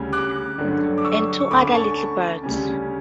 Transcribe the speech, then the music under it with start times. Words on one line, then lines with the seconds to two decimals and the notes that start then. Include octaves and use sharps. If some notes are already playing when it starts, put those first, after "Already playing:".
And two other little beds.
Already playing: D2 C#3 G3 C#4
0.13 D6 F#6
0.58 G2 D3 F#3 A3 D4
0.98 D6
1.05 C#6 E6
1.40 C#6
1.51 D2 D3 A3 C#4 B5 D6
1.74 A5 C#6
2.43 D2 C#3 G3 C#4